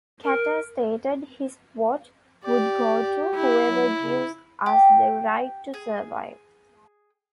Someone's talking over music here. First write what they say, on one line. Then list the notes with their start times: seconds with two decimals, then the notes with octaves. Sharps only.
Katter stated his vote would go to "whoever gives us the right to survive".
0.24 A#4
2.45 G4 D5
3.35 E4
3.67 F#3
4.00 C#3
4.66 G4
5.74 G#4